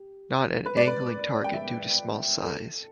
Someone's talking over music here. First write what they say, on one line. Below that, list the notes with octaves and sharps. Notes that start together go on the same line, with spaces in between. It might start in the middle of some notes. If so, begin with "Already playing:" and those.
Not an angling target due to small size.
Already playing: G4
B4
D5
B4
G5
E5
A4